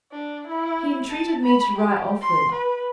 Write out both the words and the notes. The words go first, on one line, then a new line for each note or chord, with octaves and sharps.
He entreated me to write often.
D4
E4
A5
B5
G4
C6
B4